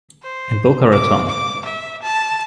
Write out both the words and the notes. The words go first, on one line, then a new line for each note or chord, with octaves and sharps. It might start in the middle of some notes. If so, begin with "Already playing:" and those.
In Boca Raton.
C5
D6
D6
E5
A5